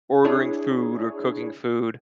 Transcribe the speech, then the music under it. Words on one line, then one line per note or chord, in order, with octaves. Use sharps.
ordering food or cooking food,
D4 E4 G#4 C#5